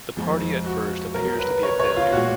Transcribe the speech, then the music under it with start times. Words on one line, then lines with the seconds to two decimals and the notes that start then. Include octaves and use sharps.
The party at first appears to be a failure.
0.16 F2 F3 G#3
0.66 F#4
1.14 B2 F#3 A#4
1.39 B4
1.63 C#5
1.80 C#5
1.97 F4
2.12 A#2 G#3 F#4